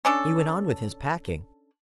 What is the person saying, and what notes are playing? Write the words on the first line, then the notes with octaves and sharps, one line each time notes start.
He went on with his packing.
C#4 D4 A4